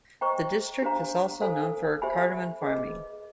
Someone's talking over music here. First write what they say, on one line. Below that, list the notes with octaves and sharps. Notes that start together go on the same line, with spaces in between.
The district is also known for cardamom farming.
C5 D#5 G5 A#5 C#6
D4 G4 C5 F5 A#5
A4 C5 F5 G#5
G4 C5 E5 G#5 B5
G#4 B4 D#5